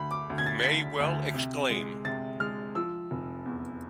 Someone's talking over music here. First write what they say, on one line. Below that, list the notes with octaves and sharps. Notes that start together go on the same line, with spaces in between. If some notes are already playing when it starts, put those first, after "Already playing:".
You may well exclaim.
Already playing: D2 B5
D6
D2
G#6
A6
A6
D2 B6
D2
C3
G#3
C3 A6
G#3 F6
F3 E6
F1
E2